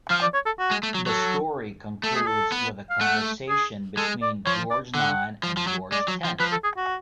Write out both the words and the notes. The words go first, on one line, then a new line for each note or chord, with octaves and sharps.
The story concludes with a conversation between George Nine and George Ten.
F3 F5
D5
C#5
A4
F#4
G#3
A3
F#3
F#3 A4
A3 A4
G#4
A4
B3
F5
A3 F#5
G#4
G#3 A4
D5
F3 C#5
D5
D3 F#5
F3
F3
F#3
G#3 D5
F#3
F3
F3 B4
A4
G#4
F#4